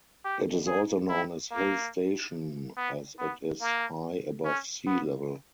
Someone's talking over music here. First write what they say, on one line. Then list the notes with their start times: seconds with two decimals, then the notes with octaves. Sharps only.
It is also known as hill station as it is high above sea level.
0.25 G4
0.67 G#4
1.09 E4
1.51 A#3
2.77 B3
3.19 B3
3.61 A#3
4.45 C#4
4.87 B3